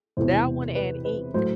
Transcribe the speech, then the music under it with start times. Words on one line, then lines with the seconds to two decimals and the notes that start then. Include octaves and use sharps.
That one and Ink,
0.17 E1 E2 C3 E3 B3 C5
0.75 B4
1.05 B4
1.34 A2 F#3 C5